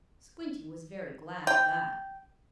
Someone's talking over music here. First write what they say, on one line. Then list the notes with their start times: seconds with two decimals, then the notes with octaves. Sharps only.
Squinty was very glad of that.
1.47 G5